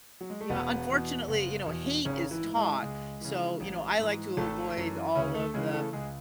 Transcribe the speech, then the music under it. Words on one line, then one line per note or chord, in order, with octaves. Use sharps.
Yeah, unfortunately, you know, hate is taught. So, you know, I like to avoid all of the
F#3
G#3
A3
E1 B2 B3
E2 B2
F#1
E2 B2
G#1 C#3 C#4
E3 E4
G#2 E3
G#3 G#4
C#2 G#3 G#4
C#3 E3
A1
G#2 E3
G#1 A3 A4
F#2 E3
D2 C#3 C#4
A3 A4
C#3 E3 G#3 G#4
A3 A4
C#2 G#3 G#4